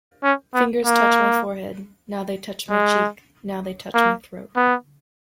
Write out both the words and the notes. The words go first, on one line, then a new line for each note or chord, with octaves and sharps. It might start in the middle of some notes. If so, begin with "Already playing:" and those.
Fingers touch my forehead — now they touch my cheek — now they touch my throat!
C#4
B3
A#3
G#3
A#3
B3